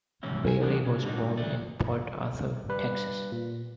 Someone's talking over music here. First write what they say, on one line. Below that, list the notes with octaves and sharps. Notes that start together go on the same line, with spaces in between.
Bailey was born in Port Arthur, Texas.
G#2 B2 E3 C#4 E4
G#5
E3 D4 G#4 A#4
C3 D#3 C#4
G#2 B2 D3 F#3 G3 D#4
A3 D5
G3 B4
A#2